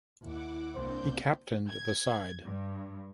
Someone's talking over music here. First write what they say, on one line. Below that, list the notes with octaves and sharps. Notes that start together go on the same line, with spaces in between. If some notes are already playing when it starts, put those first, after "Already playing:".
He captained the side.
D#2 E4 F#5 D6
C2 A#3 C4 D4 C5 G6
G#6
G2